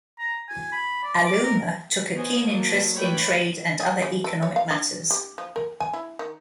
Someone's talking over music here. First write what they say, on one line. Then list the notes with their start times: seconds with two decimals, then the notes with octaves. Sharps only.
Alooma took a keen interest in trade and other economic matters.
0.19 A#5
0.49 G#5
0.72 B5
1.04 D5
1.26 D6
1.44 A#4
2.14 B3 C5 C#5 D#5 G#5
2.45 F#3 A#3 C5 A5
2.94 A3 B4 C#5 D5 G5 B5
3.80 G#4
4.02 C#3
4.24 A4
4.42 C#5
4.56 F5
4.71 D4
5.10 G4
5.38 F3
5.56 A#4
5.80 G#5
5.93 E4
6.19 D#3